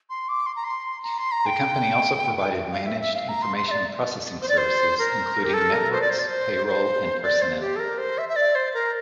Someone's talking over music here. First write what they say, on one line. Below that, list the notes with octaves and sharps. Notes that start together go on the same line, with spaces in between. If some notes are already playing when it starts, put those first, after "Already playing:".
The Company also provided managed information processing services, including networks, payroll and personnel.
C6
D6
C6
A#5
C6
A#5
C6
A#5
G5
F5
E5
E5
F5
A#5
C6
C6
E5
D5
C5
D5
C5
A#4
G4
A4
A#4
C5
D5
C5
D5
C5
C5
D5
C5
G4
A4
A#4
C5
E5
E5
D5
C5
A#4